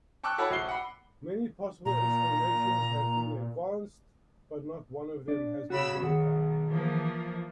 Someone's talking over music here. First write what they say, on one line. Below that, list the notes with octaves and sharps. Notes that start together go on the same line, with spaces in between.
Many possible explanations have been advanced, but not one of them has been verified.
G5 A5 C#6 D6 E6 F#6
E4 F#4 A4 C#5 A5 B5
A#1 F#4 C7 G7
F#5 B5
A#2 A#5
D4 D5
C#3 F#4 B5 E6
B1 D#3 G#4 F#5
E3 F3 A#3